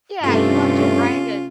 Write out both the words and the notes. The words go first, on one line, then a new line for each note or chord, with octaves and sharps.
Yeah, you want your brain to
G2 C3 A3 C#4 F4